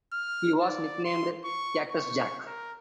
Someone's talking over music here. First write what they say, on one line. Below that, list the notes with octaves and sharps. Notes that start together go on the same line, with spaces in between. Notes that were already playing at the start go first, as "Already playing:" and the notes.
He was nicknamed Cactus Jack.
F6
D5
C6
C#6
C#6
A#4